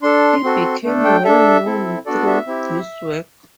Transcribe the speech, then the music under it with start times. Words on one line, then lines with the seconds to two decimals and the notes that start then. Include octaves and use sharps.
He became well known through this work.
0.02 D4 A4 C6
0.44 C4 F#4 A4
0.84 A3 D4 A4
1.04 G5
1.24 D4 A4 E5
1.65 C4 E4 A4
2.06 B3 D4 F#4 A4 D5
2.27 E5
2.47 C4 E4 G4